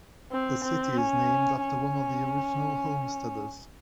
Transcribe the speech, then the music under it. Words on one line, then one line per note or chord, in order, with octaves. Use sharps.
The city is named after one of the original homesteaders.
C4
C4
C#4
C#4